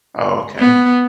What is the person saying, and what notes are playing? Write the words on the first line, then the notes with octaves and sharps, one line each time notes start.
Oh, okay.
B3